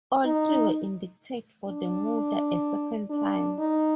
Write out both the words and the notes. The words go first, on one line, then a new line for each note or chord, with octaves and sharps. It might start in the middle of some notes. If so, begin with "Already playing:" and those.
All three were indicted for the murder a second time.
D#4
D4
D4
D#4